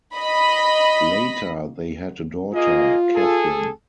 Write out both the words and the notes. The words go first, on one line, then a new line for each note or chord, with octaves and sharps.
Later they had a daughter, Kathryn.
D#5 B5
A#3 F4 G#4 D#5
G#4 A4